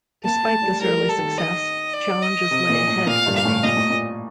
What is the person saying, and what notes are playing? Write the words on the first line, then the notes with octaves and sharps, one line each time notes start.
Despite this early success, challenges lay ahead for the band.
A#3 A5
A3
G3
G3 A#4
G3
A4
D#3
D#5
D5
D#5
C3
A#2
A2
A#2 F5
G2
F5
A2
A#2 D#5
A2
A#2